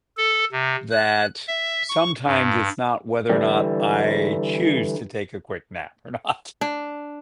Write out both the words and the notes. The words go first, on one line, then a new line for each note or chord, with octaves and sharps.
that sometimes it's not whether or not I choose to take a quick nap or not,
A4
C3
F#6
E5
C#6
G2
D3 E3 G3
D4